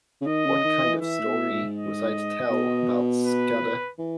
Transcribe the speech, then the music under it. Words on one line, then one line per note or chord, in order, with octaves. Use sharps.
What kind of a story was I to tell about Scudder?
C#3
D#3 D#5
C#3
D#3
E3
E3 E5
A2
B2
G#2
D#5
B2
B4
E3